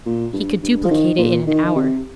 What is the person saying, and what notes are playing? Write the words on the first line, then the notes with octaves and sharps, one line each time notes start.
He could duplicate it in an hour.
A#2
G2
G2
F3
D#3
A#2
D#3
D#3
C3